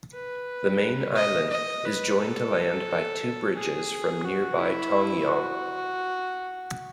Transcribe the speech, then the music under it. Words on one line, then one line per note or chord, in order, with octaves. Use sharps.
The main island is joined to land by two bridges from nearby Tongyeong.
B4
D#5
D#5
B4
A4
G#4
F#4
E4
F#4